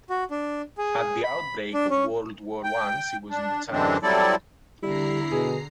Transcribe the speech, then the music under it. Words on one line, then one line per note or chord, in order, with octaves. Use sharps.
At the outbreak of World War One she was in the Channel Fleet.
F#4
D4
G#4
B5
D4
C#4
G5
D4
F#2 D3 E3 G#3 C4 D4
F#3 G3 C4 E4 A4 D5
E2 D3 G3 E4 A#5 C7
B2 G#4